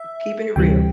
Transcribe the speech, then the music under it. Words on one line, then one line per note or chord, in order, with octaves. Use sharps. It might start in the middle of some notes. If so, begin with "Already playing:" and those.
keeping it real.
Already playing: E5
D2 C3 E3 G3 G5